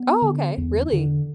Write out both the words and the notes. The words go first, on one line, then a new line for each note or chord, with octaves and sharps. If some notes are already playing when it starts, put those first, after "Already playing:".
Oh, okay. Really?
Already playing: B3
D3
E2
D3